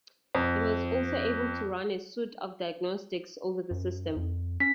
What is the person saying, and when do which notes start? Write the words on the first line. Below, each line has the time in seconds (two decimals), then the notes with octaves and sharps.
It was also able to run a suite of diagnostics over the system.
0.35 F2
3.71 F#2
4.16 F2
4.60 C#4 B6